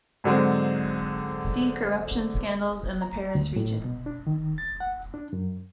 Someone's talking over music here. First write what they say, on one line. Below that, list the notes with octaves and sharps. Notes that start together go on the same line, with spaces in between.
See corruption scandals in the Paris region.
G#2 D3 F#3 G#3 C4
A#5
D2
A2
B2
D4
D#3
A6
F#5
D4
F#2